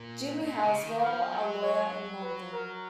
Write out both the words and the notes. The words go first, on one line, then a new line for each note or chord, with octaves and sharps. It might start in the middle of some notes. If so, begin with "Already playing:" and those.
'Jimmie Haswell', a lawyer in London.
Already playing: A#2
A#2
C#3
D#3
F3 F5
F#3
C#5
B4
A#4